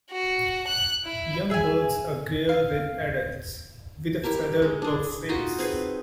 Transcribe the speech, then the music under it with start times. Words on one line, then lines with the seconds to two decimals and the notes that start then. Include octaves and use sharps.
Young birds are greyer than adults, with a feathered buff face.
0.11 F#4
0.68 F#6
1.05 E4
1.50 G#4 E5 G5 G#5
2.49 F5
4.24 E4 G4 A#4 E5
4.62 G#3
4.82 D4 G#4
5.29 D#4 F4 F#4 D#5
5.59 C4 G#4 B4